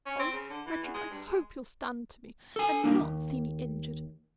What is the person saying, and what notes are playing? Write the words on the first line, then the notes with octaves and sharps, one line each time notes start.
Oh, Frederic, I hope you'll stand to me, and not see me injured.
C#4
C4
C#3
D3
E3
E2
G#3
G2
G#3
A4 G#5
G3 A#3 D4
D#2